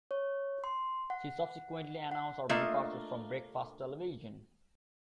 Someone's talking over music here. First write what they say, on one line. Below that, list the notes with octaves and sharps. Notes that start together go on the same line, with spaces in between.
She subsequently announced her departure from "Breakfast Television".
C#5
C6
F#5
F#5
A3 A#3 D4 F4 D#5 E5